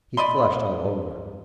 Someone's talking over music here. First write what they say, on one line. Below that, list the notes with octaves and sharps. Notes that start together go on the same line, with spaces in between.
He flushed all over.
D5 D#5 B5 C6